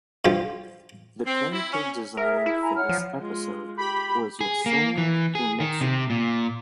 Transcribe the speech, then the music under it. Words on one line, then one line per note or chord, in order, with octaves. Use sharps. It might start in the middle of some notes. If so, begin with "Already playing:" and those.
The character designer for this episode was Yasuomi Umetsu.
G2 F3 G4
C4
E4
C#4
G#4 A#4 E5
E4
G#5 A#5
C#5 F#5 F6
F3
G#3 F4
G4 B5
G#4
A#3
E3
G#4
D#3
C3
A#2